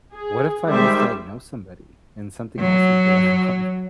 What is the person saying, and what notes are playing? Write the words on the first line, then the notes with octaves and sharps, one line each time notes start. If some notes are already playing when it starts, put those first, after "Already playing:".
what if I misdiagnose somebody and something else is going on?
G#4
D#3 G3 G#3 C5 E5
F#3